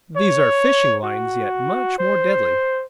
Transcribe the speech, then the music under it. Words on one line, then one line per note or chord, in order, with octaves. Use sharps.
These are fishing lines, yet much more deadly.
C#5
F#4
C5